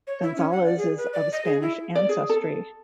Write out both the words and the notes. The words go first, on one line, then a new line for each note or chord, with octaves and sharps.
Gonzales is of Spanish ancestry.
C#5
E4
C#4
F#5
D5
G#4
B4
D5
D#5
G#4
E4
D5
G#4
A4